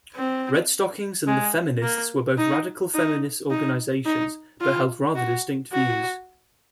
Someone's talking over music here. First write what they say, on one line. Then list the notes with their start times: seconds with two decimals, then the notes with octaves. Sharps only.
Redstockings and The Feminists were both radical feminist organizations, but held rather distinct views.
0.15 C4
1.27 G#3
1.82 A#3
2.38 D#4
2.94 D#4
3.50 D#4
4.06 D#4
4.61 F4
5.16 F#4
5.72 F#4